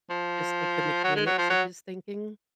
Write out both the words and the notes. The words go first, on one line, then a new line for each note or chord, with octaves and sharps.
just like the mechanics of his thinking
F3
F#3
G#3
F#3
F3
F#3